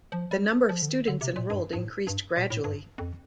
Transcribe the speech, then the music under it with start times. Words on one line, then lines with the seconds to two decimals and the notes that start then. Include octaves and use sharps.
The number of students enrolled increased gradually.
0.12 F3
0.31 G3
0.69 F3
0.82 D3
0.89 D#3
1.07 D3
1.21 C3
1.36 A#2
1.50 G2
1.73 G2
1.78 A2
2.07 G2
2.36 A#2
2.50 A2
2.64 G2
2.98 F2